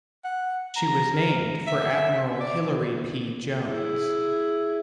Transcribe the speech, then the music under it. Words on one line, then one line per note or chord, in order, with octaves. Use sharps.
She was named for Admiral Hilary P. Jones.
F#5
A#5
A#4
E5
D5
E4 G#4